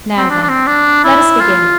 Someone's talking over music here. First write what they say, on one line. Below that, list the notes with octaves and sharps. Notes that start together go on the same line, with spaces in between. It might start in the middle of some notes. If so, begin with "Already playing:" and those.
Now then, let us begin.
C4
D4
D4
C4
D4
E4
F4